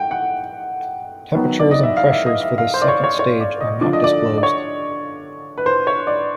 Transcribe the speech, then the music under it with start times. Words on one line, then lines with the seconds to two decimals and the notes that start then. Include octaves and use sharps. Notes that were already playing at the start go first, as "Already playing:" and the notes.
Temperatures and pressures for this Second stage are not disclosed.
Already playing: F#5 G5
0.11 F#5
1.35 D#3 F#3 B3
1.60 D5
1.71 D#5
1.83 E5
1.97 F5
2.12 E5
2.26 D#5
2.42 E5
2.58 F5
2.74 C5
2.82 D5
2.88 C#5
3.04 C#5
3.19 C#5
3.41 D5
3.61 D#5
3.81 D3 F3 A3 D4 F4 D5
3.93 D#5
4.04 D5
4.38 D5
4.43 C#5
5.58 B4
5.66 C5
5.87 C#5
6.07 D5